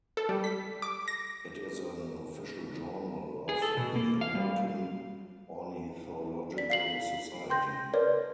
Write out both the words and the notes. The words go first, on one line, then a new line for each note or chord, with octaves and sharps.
It is an official journal of the American Ornithological Society.
A4
G3
B6
D6
A#6
G#4
A4
B2
A#3
F5
G3
D5 B6
F5 C7 F#7
G5 C6 G6 A#6
A#4 B4 C#5 D5